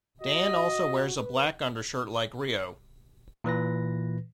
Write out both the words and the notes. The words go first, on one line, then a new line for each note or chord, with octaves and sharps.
Dan also wears a black undershirt like Ryo.
F#4 D#5
B4
A#2 E3 B4 A#6